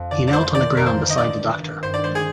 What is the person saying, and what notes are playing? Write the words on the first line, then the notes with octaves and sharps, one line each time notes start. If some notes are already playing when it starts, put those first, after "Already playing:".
He knelt on the ground beside the doctor.
Already playing: F2
D3 D5
D5
G#3 C5
D#3 D5
F2 A#4
C5
G1
D#5
G1 D5
G1
D#3
G2 C5
D5
G#3 C5
G#4